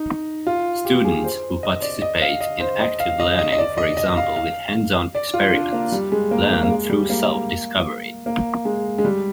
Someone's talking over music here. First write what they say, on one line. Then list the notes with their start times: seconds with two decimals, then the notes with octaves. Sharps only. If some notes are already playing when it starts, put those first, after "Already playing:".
Students who participate in active learning for example with hands-on experiments learn through self-discovery.
Already playing: D#4
0.47 F4
0.85 G4
1.05 G#4
1.24 C5
1.63 D#5
1.82 D5
2.02 D#5
2.22 F5
2.41 D#5
2.60 C5
2.80 D#5
3.00 F5
3.20 D#5
3.39 D#5
3.52 D#5
3.58 D5
3.78 D#5
3.97 D#5
4.17 F5
4.36 F5
5.15 D5
5.34 F4
5.54 D4
5.73 A#3
5.92 G3
6.12 G#3
6.31 A#3
6.51 A#3
6.63 A#3
6.70 G#3
6.90 G3
7.10 A#3
8.26 A#3
8.65 G#3
8.98 G#3
9.05 G3